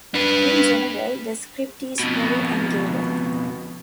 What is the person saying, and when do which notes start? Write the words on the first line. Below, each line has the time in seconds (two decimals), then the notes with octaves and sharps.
In general the script is very angular.
0.14 D4 B4
2.00 F2 B2